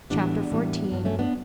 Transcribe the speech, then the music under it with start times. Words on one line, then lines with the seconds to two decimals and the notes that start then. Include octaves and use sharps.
Chapter XIV.
0.10 A2 E3 G3 B3 D4
0.52 A2 E3 G3
0.92 G2 F#3
1.05 A3 C#4
1.19 B3 D4